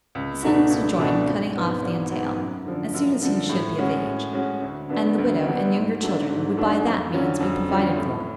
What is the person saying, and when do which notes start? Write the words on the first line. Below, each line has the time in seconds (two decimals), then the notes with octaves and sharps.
The son was to join in cutting off the entail, as soon as he should be of age, and the widow and younger children would by that means be provided for.
0.15 C#2
0.42 B2 A3 D4 F#4
0.70 C#2
0.98 B2 A3 D4 F#4
1.26 G#1
1.55 G#2 F#3 B3
1.82 G#1
2.10 G#2 F#3 B3
2.38 F#2
2.66 D3 F3
2.94 F#2
3.22 D3 F3
3.49 A2
3.77 G#3 C#4 F#4
4.05 A2
4.33 G#3 C#4 F#4
4.62 D2
4.89 D3 F#3 B3 D4
5.18 D2
5.45 D3 F#3 B3 D4
5.74 G#2
6.01 F#3 A3 D4
6.29 G#2
6.56 F#3 A3 D4
6.85 F2
7.13 D3 F#3 C#4 F4
7.40 F2
7.69 D3 F#3 C#4 F4
7.97 A2